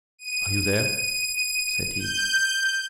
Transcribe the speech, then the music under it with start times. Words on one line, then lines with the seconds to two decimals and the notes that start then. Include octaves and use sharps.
"Are you there?" said he.
0.19 D#7
1.98 G6